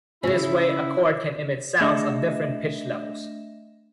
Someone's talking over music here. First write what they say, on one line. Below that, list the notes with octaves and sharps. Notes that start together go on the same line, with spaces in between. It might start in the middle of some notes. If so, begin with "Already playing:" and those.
In this way a chord can emit sounds of different pitch levels.
C#3 C#4 E4
A3 D4 D#5 E5 A#6 E7